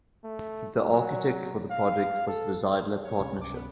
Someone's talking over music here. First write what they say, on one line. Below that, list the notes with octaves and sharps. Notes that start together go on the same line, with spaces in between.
The architect for the project was the Zeidler Partnership.
A3
F#3
F5
A4
C#5
C#2 C3 C#4
D6
B3